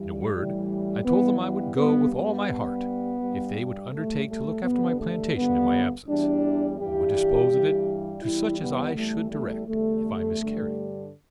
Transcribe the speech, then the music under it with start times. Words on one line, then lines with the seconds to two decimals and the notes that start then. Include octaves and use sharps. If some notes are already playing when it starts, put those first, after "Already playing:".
In a word, I told them I would go with all my heart, if they would undertake to look after my plantation in my absence, and would dispose of it to such as I should direct, if I miscarried.
Already playing: G2 E3 G3
0.33 A2 E3 G3
1.05 G2 E3 G3 B3
1.40 B3
1.76 G2 G3 B3
2.12 B3
2.49 G2 G3
3.21 G2 G3
3.93 A2 G3 A3
4.29 A3
4.64 G2 D3 G3 B3
5.00 A3
5.36 G2 D3 G3 B3
6.08 E2 E3 G3 D4
6.79 G2 E3 G3 G4
7.51 G2 E3 G3
8.23 E2 E3 G3 E4
8.59 B3
8.95 E2 E3 G3 A3
9.31 A3
9.67 E2 D3 G3 A3
10.39 G2 D3 G3